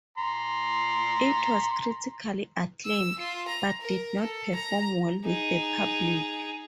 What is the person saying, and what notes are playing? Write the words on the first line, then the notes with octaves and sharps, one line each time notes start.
It was critically acclaimed, but did not perform well with the public.
A#5 C6
E6
F4
A#5
A#4
A4
A#5
D#4 G#4